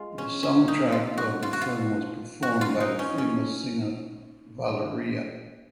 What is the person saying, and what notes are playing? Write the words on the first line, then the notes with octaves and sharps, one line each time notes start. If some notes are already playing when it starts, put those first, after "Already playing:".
The soundtrack of the film was performed by the famous singer Valeriya.
Already playing: G#3 F4
C#4
C#4
D#4
F4
F#4
F4
F#4
F4
F#4
F4
D#4
C#4
C#4